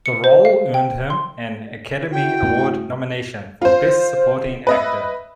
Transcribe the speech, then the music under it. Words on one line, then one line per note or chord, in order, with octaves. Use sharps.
The role earned him an Academy Award nomination for Best Supporting Actor.
C#7
C5
F5
G5
C6
E4 F#4 G5
G2 A3 C#4
F4 C5
B4 D#5 E5